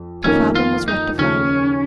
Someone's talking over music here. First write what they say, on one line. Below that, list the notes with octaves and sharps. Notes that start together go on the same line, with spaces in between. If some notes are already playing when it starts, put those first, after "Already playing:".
The problem was rectified.
Already playing: F2
F2 D#3 A#3 C#4 D#4 A#4
F4
D#4
D#2 C#3 F3 C#4